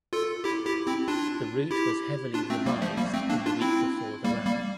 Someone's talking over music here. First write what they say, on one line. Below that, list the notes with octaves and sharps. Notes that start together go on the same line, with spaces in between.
The route was heavily revised in the week before the rally.
F4 A4
E4 G4
E4 G4
C4 E4
D4 F4
E4 G4
D4 F4
A3 C4
G3 A#3
F3 A3
G3 A#3
A3 C4
A#3 D4
D4 F4
C4 E4
G3 A#3
G3 A#3